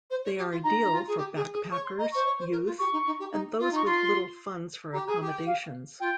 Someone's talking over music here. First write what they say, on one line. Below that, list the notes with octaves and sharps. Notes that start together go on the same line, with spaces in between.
They are ideal for backpackers, youth, and those with little funds for accommodations.
C5
C#5
G4
F4
D#4 A#5
D#4
F4
G#4
G4
G#4
G#4
C#5 C#6
C6
D#5 A#5
C5 C#6
C#5
C5
A#4
F4
G4 C#6
D#4
D#4
G4
D#4
F4
D#4 C#6
F4 C6
G4 A#5
G#4 G#5 A#5
G4
G5
F5
F4 G5